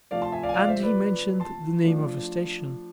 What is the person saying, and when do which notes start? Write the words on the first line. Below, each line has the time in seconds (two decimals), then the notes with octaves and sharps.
And he mentioned the name of a station.
0.11 C3 F3 A3 D5 F5
0.22 A5 C6
0.32 E5 G#5
0.43 D5 F5
0.49 G#5
0.54 D5 F5
0.68 C5 E5
0.83 B4 D5
1.40 A5 C6
1.84 F3 A3 D4